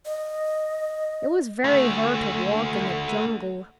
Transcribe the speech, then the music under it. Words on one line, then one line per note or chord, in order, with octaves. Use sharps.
It was very hard to walk in the jungle.
D#5
D2 A3